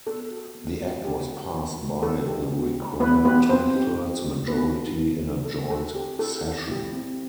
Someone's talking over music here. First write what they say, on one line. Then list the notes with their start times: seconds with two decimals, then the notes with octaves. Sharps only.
The act was passed by the required two-thirds majority in a joint session.
0.06 B3 A4
0.31 F#4
0.55 B3
0.80 F#4
1.04 B3 G4
1.29 F#4
1.53 B3
1.78 F#4
2.03 B3 A4
2.27 D#4 G4
2.52 B3
2.76 D#4 G4
3.00 B3 B4
3.25 B3 D#4 G4 B4
3.49 B3 C4 C5
3.74 D#4 G4
3.98 B3
4.24 F#4
4.48 B3 B4
4.72 F#4
4.96 B3
5.21 F#4
5.45 B3 A4
5.70 F#4 A4
5.94 C4 G4
6.19 E4 G4 A4
6.43 C4
6.67 E4 G4
6.93 C4